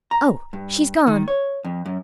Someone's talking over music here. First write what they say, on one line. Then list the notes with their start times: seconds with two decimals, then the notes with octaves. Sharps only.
"Oh! she's gone!"
0.11 A#5
0.53 G2
1.07 D#3
1.28 C#5
1.65 F2
1.86 F#2